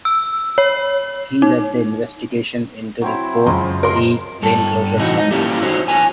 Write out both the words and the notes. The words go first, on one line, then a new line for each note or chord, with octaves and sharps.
He led the investigation into the Fort Lee lane closure scandal.
E6
C#5
D#4
F#3 C4 E4
F#2 C#3 F3 G#3
C3 A#4 D#5 C6
G2 A4
A2 C3 E3 D#4 F#4
D#4
A#3 C#4 E4 G4 A4
D#4 F#4 A4 C5 C#5 E5
B4 C#5 G#5